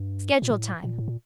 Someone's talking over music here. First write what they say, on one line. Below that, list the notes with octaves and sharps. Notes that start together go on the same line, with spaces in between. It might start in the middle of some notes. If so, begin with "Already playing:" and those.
Schedule time.
Already playing: G2
A#2
A2
A#2
A2
A#2